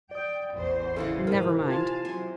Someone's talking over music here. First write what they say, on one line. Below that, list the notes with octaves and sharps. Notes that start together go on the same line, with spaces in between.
Never mind.
D5 G5 D#6
A1 E2 C5
C#3 E3 A4 F#5
G#2 C3 D#3 A#4
F4 F5 G#5 A5 G#6
C3 F#3 C5 G#5